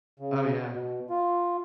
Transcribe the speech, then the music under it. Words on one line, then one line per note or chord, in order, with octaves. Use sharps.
Oh, yeah.
C#3
B2
F4